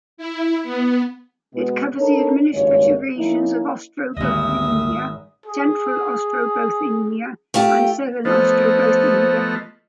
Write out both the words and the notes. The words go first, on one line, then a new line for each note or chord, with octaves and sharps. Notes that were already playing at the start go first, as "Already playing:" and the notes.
It covers the administrative regions of Ostrobothnia, Central Ostrobothnia and Southern Ostrobothnia.
E4
B3
B2 G#3 B3
D4 D#4 A4 A#4 C#5
G#1 C#2 G2 G#3 A#3 C#5
F3 A#3 C#4 D#4 E4
G#1 D2 G3 A#3 D#5 E5 D#6
G#4
A3 F4 G4
F3 A3 B3 C5 D#5